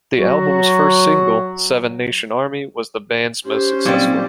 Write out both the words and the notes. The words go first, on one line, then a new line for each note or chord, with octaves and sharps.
The album's first single, "Seven Nation Army", was the band's most successful.
F#3 F#4
C#4 G4 C5
A#2 F#3 G3 C4 D#4